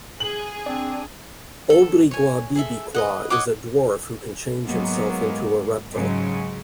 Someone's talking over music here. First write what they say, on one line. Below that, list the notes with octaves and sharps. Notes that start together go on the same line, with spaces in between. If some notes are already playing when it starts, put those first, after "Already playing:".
Obrigwabibikwa is a dwarf who can change himself into a reptile.
G#4 F#7
C4 D4
A4
C#5 G#5
G#4 A4 E5
B4 D#5 F#5
C#5 D#5 F#5 D6
G#2 F#3 G#3 A#3 B3
G#2 C#3 F#3 G#3